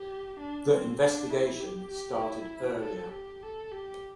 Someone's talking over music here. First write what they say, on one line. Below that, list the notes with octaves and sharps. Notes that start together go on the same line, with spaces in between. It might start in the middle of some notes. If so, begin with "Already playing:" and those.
The investigation started earlier.
Already playing: G4
D4
C4
D4
E4
G4
G4
E4
A4
G4
A4
G4